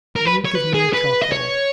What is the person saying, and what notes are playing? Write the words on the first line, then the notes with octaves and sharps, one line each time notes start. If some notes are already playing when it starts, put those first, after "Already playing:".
Will you give me your charcoal?'
A#4
B4
C#5
B4
G#4
B4
D#5
C#5